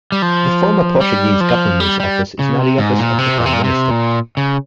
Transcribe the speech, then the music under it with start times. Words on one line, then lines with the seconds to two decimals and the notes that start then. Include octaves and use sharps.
The former Portuguese Governor's office is now the office of the Prime Minister.
0.12 G3
0.22 F3
1.01 G3
1.41 F3
1.80 G3
2.00 G3
2.39 C#3
2.59 C3
2.78 G#2
2.98 A#2
3.18 C3
3.38 A#2
3.46 C3
3.53 A#2
3.64 C3
3.90 A#2
4.37 C#3